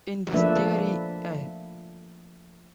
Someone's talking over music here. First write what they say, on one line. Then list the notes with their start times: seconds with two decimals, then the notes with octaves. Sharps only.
In this theory I.
0.33 F3 A3 A#3 D4 B4 E5